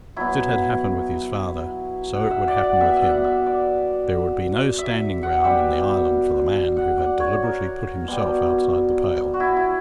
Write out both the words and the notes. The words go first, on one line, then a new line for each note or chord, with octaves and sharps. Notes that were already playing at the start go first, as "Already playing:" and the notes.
As it had happened with his father, so it would happen with him--there would be no standing ground in the island for the man who had deliberately put himself outside the pale.
B2 F#3 E4
F#5
E5
D5
F#5
B2 G3 E5
E5
F#5
E5
D5
E5
F#5
B2 G3 E5
F#5
D5
C#5
A#4
B2 G3
F#4
E4
E4